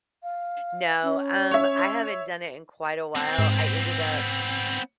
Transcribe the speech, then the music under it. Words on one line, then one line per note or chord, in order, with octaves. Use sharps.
No, um, I haven't done it in quite a while, I ended up
F5
C#4
C#5 E5
B3 C4
G#2